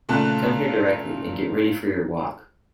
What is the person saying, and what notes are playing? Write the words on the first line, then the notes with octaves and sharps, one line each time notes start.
Come here directly, and get ready for your walk!
A#2 C#3 A3 A5 F#6